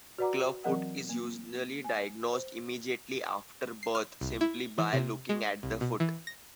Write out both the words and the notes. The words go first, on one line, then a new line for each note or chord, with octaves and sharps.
Clubfoot is usually diagnosed immediately after birth simply by looking at the foot.
F#4 B4 D5 F#5 A#5 D6
E3 F#3 C4 A#4 D#5 F#5
A#3
G#5
C5
C7
F6
C2
E4
E3
C3
G#3
C2
B2
E3
A#6